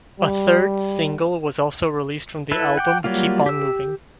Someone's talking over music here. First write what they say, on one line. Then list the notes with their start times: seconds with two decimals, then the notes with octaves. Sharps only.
A third single was also released from the album, "Keep on Moving".
0.20 G3
2.51 E4 A4 B4
2.77 F#5 G5 D6
3.04 F#3 G3 A#3 F4
3.46 G4 E6